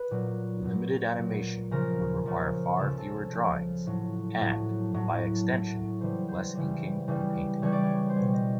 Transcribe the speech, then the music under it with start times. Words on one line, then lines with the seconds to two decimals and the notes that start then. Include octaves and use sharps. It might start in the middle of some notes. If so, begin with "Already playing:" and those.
Limited animation would require far fewer drawings, and, by extension, less inking and painting.
Already playing: B4
0.11 A#2 F#3
0.64 A#2 F#3
1.18 A#2 F#3
1.71 C#3 F3 A#4
2.26 C#3 F3
2.79 C#3 F3 A4
2.98 A4
3.33 C#3 F3
3.86 A2 F#3
4.41 A2 F#3
4.94 A2 F#3
5.48 A2 F#3
6.01 C#3 E3 G3 C5
6.28 C5
6.55 C#3 E3 G3
7.08 C#3 E3 G3
7.62 C#3 E3 G3 C#5
7.72 D5
7.83 C#5
8.09 C5
8.15 B2 G3 C#5
8.34 D#5